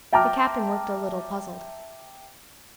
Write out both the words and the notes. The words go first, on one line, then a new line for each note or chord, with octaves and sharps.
The Captain looked a little puzzled.
E5 G5 A5 A#5 D6 F6